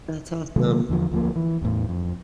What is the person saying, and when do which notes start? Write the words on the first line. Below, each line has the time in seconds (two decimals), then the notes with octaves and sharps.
That's awesome.
0.56 C3 D#3 F#3 A3
0.89 E2 D3 F3
1.12 D2 F3 A#3
1.36 E3
1.61 E2 A2
1.89 F2